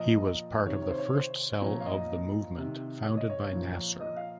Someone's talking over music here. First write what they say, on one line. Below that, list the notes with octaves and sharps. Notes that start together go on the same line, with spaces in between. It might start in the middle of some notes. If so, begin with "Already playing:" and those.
He was part of the first cell of the movement founded by Nasser.
Already playing: A#2 F3 D#5
C3 D#3 C#5
C#5
C5
C#5
C5
A#2 F3 C#5
F5
D#5
C3 D#3
C#5
D#5
C#5
A#2 F3
D#5
F5